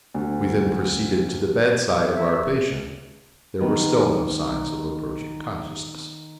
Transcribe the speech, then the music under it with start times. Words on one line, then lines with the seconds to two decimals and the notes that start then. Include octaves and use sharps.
We then proceeded to the bedside of our patient; there were still no signs of approaching consciousness.
0.14 D2
2.14 E5
3.61 D#3 A#3 B3 B4